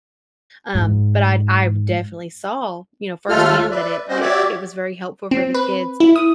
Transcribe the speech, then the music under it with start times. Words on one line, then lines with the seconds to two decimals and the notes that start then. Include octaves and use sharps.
um, but I'd I definitely saw, you know, firsthand that it it it was very helpful for the kids,
0.75 G#2
3.29 D#2 G#3 A3 F4 A4 F6
3.71 B4 D5 E5
4.08 G3 C4 C#4 F#4 C5 D#5
4.21 F#4 G4 C#5 D5 E5 D6
5.31 C4
5.54 B4
6.00 E4
6.16 D#6